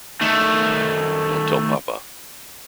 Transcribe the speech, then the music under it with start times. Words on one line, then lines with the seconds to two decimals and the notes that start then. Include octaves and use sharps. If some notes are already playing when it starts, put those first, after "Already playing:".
Don’t tell papa.
0.21 D#3 A3